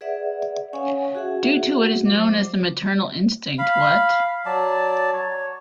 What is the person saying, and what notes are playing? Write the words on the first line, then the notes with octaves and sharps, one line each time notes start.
Due to what is known as the maternal instinct, what?
G#4 B4 D5 E5 F#5
C#4 C#5 F5 F#5 G#5 C#6
F#4 G#4 E5 F#5
F#3 C5 D6
F5 B5
F#3 D5 A5
C#5